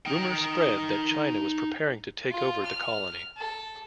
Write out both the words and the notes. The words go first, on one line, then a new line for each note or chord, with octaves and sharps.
Rumors spread that China was preparing to take over the colony.
D#4 G5
F4
F6
A4